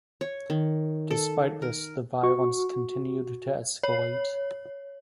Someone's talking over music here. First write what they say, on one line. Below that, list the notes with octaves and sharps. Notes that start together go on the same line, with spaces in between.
Despite this, the violence continued to escalate.
C#5
D#3
A4
A#4
F#4 C#6
C#5